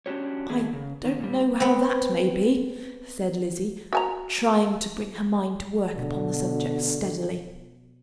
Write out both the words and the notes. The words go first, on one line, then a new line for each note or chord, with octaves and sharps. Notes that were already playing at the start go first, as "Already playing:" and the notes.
"I don't know how that may be," said Lizzie, trying to bring her mind to work upon the subject steadily.
C#4 D4 F#4 G4 C#5
D#3 A3 A#3 G#4
C#3
D#3
A#2 G3
B3 C4
F#4 G#5 A#5
B2 D3